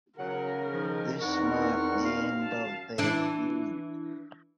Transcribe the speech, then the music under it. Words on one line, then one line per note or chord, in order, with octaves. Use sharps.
This marked the end of their feud.
C#3 F#3 A#4 F#5
D#3 F3
E2 D#3 B3 C4 D#4 A#4 F#5 C#6
F#2 F5
A5
E3 D4